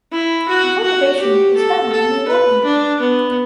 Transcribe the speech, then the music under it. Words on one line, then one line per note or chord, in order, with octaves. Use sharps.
In cultivation the stem can be longer.
E4
F#4
F#4
G4
A4
A4
B4
D4
B3